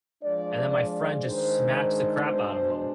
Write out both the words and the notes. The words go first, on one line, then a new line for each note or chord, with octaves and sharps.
and then my friend just smacks the crap out of him,
F3 G#3 D4 D5
D5
D#3 G#3 D4 C5
C5
B2 G#3 D4 C5